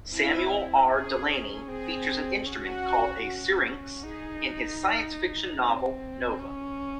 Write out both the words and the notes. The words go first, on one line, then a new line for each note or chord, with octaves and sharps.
Samuel R. Delany features an instrument called a syrynx in his science-fiction novel "Nova".
C4 E4
C#4 G#4
C4 G#4
C#4 F#4
C#4
D#4 G#4
C4
C#4